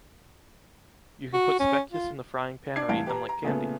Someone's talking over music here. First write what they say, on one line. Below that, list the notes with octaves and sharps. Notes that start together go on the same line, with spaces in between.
You can put Spekjes in the frying pan or eat them like candy.
F#4
C#4
F4
D4 D5 G#6 C7
C2 A2 E3 F5 A5 D7
G4 B4 A5 A#5
A#5
A#2 C#3 A3 B3